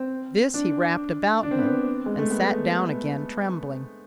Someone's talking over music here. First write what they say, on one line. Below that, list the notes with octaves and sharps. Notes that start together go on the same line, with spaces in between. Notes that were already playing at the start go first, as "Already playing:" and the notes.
This he wrapped about him and sat down again, trembling.
Already playing: C4
D4
D4
C4
B3
C4
G#3
A3
B3